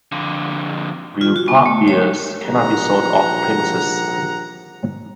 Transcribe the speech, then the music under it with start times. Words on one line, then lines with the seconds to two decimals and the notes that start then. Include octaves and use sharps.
Brewpub beers cannot be sold off-premises.
0.12 F2 D3
1.21 F4
1.36 F#4
1.48 B3
1.66 A3
1.88 C#5
2.46 A#1 A#3 G4 F#5 A#5